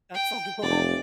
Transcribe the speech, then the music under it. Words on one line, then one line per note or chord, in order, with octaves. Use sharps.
That's a lot.
G5
F1 D5